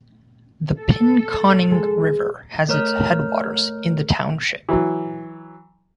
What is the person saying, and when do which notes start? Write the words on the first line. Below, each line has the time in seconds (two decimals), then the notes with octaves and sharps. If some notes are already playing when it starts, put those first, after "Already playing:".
The Pinconning River has its headwaters in the township.
0.80 A4
1.71 G#3
2.69 A3 A#4 C#5 F6
4.69 E3 F#3